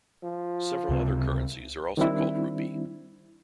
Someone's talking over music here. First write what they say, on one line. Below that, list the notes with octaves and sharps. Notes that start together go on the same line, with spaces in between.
Several other currencies are also called rupee.
F3
C#2 C3 C4
D#3 G3 C4 D4 E4